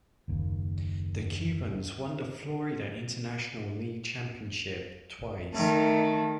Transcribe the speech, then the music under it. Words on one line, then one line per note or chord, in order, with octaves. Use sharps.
The Cubans won the Florida International League championship, twice.
F#1 D#2
D#3 A3